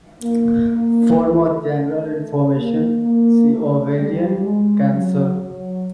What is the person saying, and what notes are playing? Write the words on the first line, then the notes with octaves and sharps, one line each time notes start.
For more general information, see ovarian cancer.
A#3
A#3
A3
A#3
A#3
A3
G3
G#3
F#3
F#3